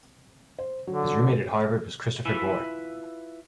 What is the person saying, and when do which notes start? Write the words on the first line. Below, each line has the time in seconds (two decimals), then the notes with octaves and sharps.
His roommate at Harvard was Christopher Gore.
0.59 C5
0.87 D3 F#3
2.25 E4 F4 B4 E5 G#5 B5